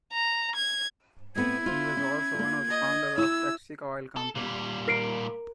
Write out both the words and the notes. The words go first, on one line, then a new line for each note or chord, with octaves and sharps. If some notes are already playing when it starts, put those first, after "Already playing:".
He was also one of the founders of Texaco Oil Company.
A#5
G#6
A2 B3 C4 E4 G#6
F4 C5
C#4
A#3 F4
D#5
E4 E6
A4
A#2 G3
A#4 C7 D7